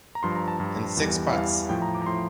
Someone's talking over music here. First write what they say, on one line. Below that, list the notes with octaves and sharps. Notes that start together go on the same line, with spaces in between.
In Six Parts.
A#5
G2 F3 C6
A#5
A5
G2 F3
E2 E3 G3
E2 E3 G3 F5
A2 F3 G5
A#5
D6
A#5
A2 F3 C6